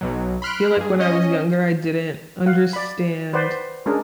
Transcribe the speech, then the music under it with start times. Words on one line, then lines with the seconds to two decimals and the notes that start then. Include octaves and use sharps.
feel, like, when I was younger, I didn't understand
0.01 B1 B2 F#3
0.42 B5 C6 F6 F#6 D7
0.77 G2 G#4
1.00 C#4 D#5
2.46 F5 F#5
2.73 D5 B5
3.33 B4 C5 D5 F#5
3.86 G#3 C#4 D4 G#4 A#4